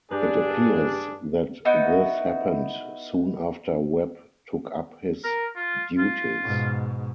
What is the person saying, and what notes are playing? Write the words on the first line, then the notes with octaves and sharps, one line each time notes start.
It appears that this happened soon after Webb took up his duties.
G2 D4 G4 G#4 B4
B3 D#4 E4 F#4
A#4
F4
F4
G#2 B2